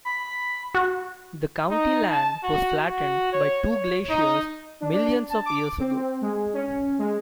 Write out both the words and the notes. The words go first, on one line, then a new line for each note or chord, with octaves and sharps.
The county land was flattened by two glaciers millions of years ago.
B5
F#4
D#4
A5
F#4
F#4
C#5
C#5
D#4
D4
D4
A5
D6
C4
G#3
C#4
G#3